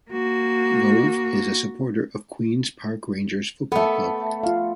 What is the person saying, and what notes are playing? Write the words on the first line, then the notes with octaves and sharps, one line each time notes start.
Gove is a supporter of Queens Park Rangers Football Club.
A#3 F#4
A3 B3 A4
F4 F5